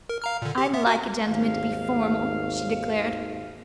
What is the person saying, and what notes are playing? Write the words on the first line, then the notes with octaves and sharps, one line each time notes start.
"I like a gentleman to be formal!" she declared.
A#4
F5 A#5 F6
A#2 D3
G4
B3 E5
F#4 E5 G#5
G#1 D#2 F5